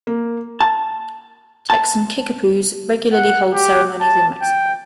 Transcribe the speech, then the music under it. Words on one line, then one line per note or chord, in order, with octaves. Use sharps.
Texan Kickapoos regularly hold ceremonies in Mexico.
A#3
A5
A5
F#5
G4
A5
G5